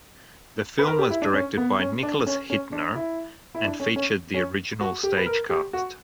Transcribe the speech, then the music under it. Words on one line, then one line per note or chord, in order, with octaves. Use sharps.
The film was directed by Nicholas Hytner and featured the original stage cast.
B4
A#4
G4
E4
D4
C#4
B3
C#4
D4
C#4
C#4
D4
E4
E4
D4
C#4
C#4
C#4
F#4
G4
B4
A#4
G4
F#4